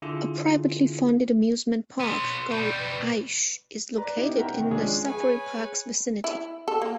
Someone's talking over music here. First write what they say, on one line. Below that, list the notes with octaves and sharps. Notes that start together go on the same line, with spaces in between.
A privately funded amusement park, Go Aish, is located in the Safari Park's vicinity.
D3 E4 F4 G#4
F#3 B3 C6
B2 G3 B5 G6
B4
B4 D5 A#5
B3 D#4 E4 G4 B4
A#4 E5 F#5 G5 A#5
C3 D#3
F3 G#3 C#4 D4 G#4 C#5
G#4 B4 C#5 G#5
E4
A4
A#3